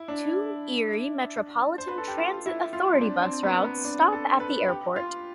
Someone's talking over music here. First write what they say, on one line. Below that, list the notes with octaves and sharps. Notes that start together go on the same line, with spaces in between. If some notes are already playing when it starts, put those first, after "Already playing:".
Two Erie Metropolitan Transit Authority bus routes stop at the airport.
Already playing: E4
D4
C5
B4
A4
G4
F4
E4
F4
C4
D4
C4
B3
B3
D4
A4
B4
G4
F4